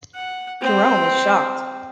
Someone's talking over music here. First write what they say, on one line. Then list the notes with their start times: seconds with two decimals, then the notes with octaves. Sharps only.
Jerome is shocked.
0.15 F#5
0.61 C4